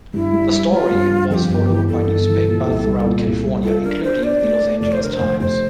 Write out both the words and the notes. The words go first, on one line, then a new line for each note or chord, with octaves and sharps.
The story was followed by newspapers throughout California, including the "Los Angeles Times".
G2 E4
G3
G3
G3 F4
G2
G2
F2 G4 A4
G1
E3
G1 A4
G1
E3
A#2
C2
G3
A#2
C2
G3
F4 A4
D4 A#4
D4 C5
D4 D5
A3
A3
F1 D5
C5
D3 A#4
C5
F1
F1 C5